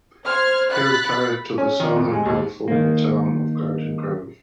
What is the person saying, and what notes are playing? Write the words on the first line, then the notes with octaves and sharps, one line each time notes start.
He retired to the Southern California town of Garden Grove.
C5 F6 G#6
B5 F#6 A6
C#4
D#3
F2
G#3
D#2
D#3 A#3